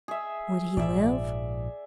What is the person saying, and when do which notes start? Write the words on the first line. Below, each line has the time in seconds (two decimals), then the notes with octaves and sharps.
Would he live?
0.08 G#4 E5
0.77 A#1 G#2 F3 D5 E5